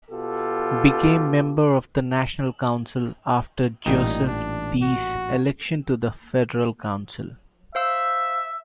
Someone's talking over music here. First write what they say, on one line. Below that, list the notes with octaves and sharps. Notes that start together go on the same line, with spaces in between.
Became member of the National Council after Joseph Deiss' election to the Federal Council.
B2 F4 G4 A4
A1 A#2 G3 D#4
D4
F#4
C5 E5 F5 E6